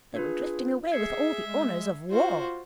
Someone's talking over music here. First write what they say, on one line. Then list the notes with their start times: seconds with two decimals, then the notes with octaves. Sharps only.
They were drifting away with all the honours of war.
0.14 D4 F4 G#4 B4
0.92 G#4 E5 G#6 C7 C#7
1.46 G#3
2.11 F4 F#4 C5